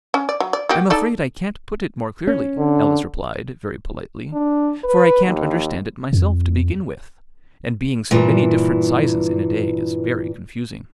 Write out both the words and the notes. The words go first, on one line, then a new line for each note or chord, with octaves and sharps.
'I'm afraid I can't put it more clearly,' Alice replied very politely, 'for I can't understand it myself to begin with; and being so many different sizes in a day is very confusing.'
C#4
D5
F#3
D5
A#3 F#4 G4
D#4 A4 D5
C#4
D3
D4
B4
D#2
F2
G2 A#2 E3